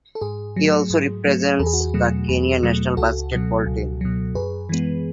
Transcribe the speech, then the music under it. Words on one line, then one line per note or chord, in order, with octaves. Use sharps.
He also represents the Kenya national basketball team.
A4
G#2 G#4
F#3 A3
G#2
F#3 A3
E2 A4
G#4
F#4
G#4
B2 F#3 A3
E2
B2 F#3 A3
C#2 F#4 A4
B2 F#3
C#2
B2 F#3
F#2 G#4 B4
E3 G#3 B3